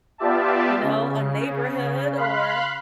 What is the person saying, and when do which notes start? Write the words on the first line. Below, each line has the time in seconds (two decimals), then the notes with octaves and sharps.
you know, a neighborhood or
0.18 B3 F4 G4 D5 E5 A5
0.82 C#3
2.16 F5 B5 C6 F#6